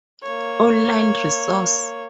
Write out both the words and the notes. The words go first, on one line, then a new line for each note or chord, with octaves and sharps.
Online resource.
A#3 C#5